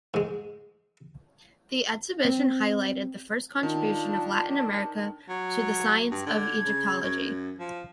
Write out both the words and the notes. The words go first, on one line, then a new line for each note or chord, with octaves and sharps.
The exhibition highlighted the first contribution of Latin America to the science of Egyptology.
G#2 G#3
C4
D#3 D4 F4 A5
F#3
G2
D3 G#6
C#3
F#2
F3